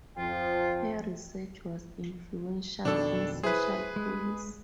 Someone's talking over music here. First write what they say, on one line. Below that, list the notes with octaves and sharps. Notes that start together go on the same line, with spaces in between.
Her research was influential in social policy.
F2 F3 F4 G5
F2 B2 D#3 D4 A4
E4 G#4 B4 C5
G#3